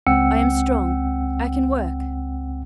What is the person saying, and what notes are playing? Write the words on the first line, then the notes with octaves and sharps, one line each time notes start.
I am strong. I can work.
C#2 C4 F#5 G5 E6 C#7